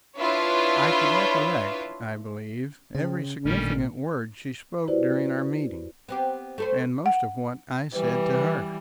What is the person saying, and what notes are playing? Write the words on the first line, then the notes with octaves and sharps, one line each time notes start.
I could recollect, I believe, every significant word she spoke during our meeting, and most of what I said to her.
D4 E4 F4 B4 C#5 E5
C#3 C5 G5
A1 A#2 D3 D#3 G3 A3 C#4 F6
E4 F#4 G4 B4 C5 D5
B3 C4 G4
A3 A4 C5
F#5
E3 G3 B4